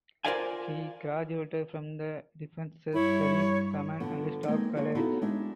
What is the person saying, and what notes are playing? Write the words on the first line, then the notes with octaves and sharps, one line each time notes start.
He graduated from the Defence Services Command and Staff College.
F4 A#4 C5 D5 F5 G#5
G2 E4 C#5
D3 F3 B3
G#3 A#3 C4 D#4
F3 A#3 F4 G#4 C#5
B3 D#4 E4 F#4 A4
G#3 D4 D#4 E5